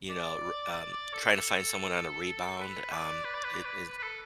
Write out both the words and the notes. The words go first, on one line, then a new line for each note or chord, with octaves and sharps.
you know, r um, tryna find someone on a rebound, um, it is
D5
D5
D5
A4
A4
B4
D5
B4
D5
B4
D5
B4
B4
B4
A4